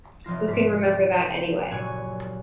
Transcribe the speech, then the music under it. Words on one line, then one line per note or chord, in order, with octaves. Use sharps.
Who can remember that anyway?
F1 F3 F4 A#6
G#2 F4 B6
A#5 G6 B6 C7
F#1 G2 A#2 F#4 C#5 G#5